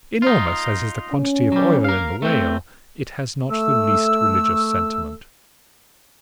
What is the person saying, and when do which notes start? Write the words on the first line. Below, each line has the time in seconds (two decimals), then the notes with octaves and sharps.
Enormous as is the quantity of oil in the whale, it has not the least religious sentiment.
0.22 D#4 F4
1.12 C#4
1.52 F#3 G3
1.84 A#4 F5
2.22 A3 C4
3.50 A3 E6